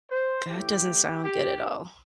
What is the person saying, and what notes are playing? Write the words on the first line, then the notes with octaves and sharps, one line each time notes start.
That doesn't sound good at all.
C5
A2 E3 G4
G4